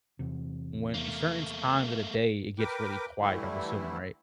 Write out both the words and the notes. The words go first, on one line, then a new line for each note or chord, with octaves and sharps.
when certain times of the day it gets really quiet, I'm assuming, right?
E2 C3
A3 A#3
A#4 B4 G5 D6
D3 E3 G3 A3 E4